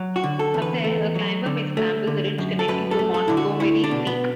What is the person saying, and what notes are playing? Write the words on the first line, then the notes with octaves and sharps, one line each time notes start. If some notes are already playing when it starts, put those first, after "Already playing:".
From there, a climber may scramble the ridge connecting to Montgomery Peak.
Already playing: F#3
F#4
D3
A4
E2
B4
A3
F#3
D3
A3
D3
F#2
A4
F#2 B4
A4
A3
A4
D3 E4
F#4
A3 E4
D4
B2
B3